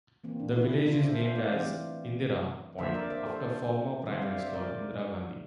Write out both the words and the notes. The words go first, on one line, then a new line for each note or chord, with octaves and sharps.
The village is named as Indira Point after former Prime Minister Indira Gandhi.
E3 A#3 C4
D4
C4 E4
D4
D4 F4
C5 E5
C5 E5
D5 F5
E3 A3 C4
D3 F3 A#3 C5 E5
A#4 D5
C5 E5
A4 C5
D3 G3 C4 C5 E5
D5 F5
C5 E5
A#4 D5